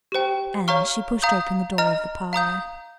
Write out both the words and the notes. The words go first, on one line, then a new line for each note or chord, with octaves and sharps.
And she pushed open the door of the parlour.
G4 C5 G5
C#5 F5 A#5 C#6 F6
F5 A#5 D#6 G6
D#5 A#5 F6
F5 A#5 D#6 G6